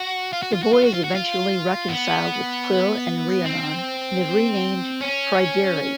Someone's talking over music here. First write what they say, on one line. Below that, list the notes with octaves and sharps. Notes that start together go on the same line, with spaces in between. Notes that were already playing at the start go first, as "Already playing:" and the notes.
The boy is eventually reconciled with Pwyll and Rhiannon and is renamed "Pryderi".
Already playing: F#4
F4
F#4
F4
F#4
F4
F#4
F4
F#4
F4
B3
C4
C#4